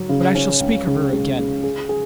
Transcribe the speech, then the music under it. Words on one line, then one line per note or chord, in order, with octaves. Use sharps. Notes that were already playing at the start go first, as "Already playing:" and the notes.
But I shall speak of her again.
Already playing: F#3
C#3
C#4
C#2
C#3
G#3
G#3
G#4
G#4